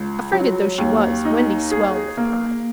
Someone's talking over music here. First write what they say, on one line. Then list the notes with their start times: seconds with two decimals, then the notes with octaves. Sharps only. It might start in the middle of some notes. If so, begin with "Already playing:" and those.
Affrighted though she was, Wendy swelled with pride.
Already playing: C#2
0.32 F#3
0.78 D#2
1.25 D#4
1.72 G#4
2.17 A#3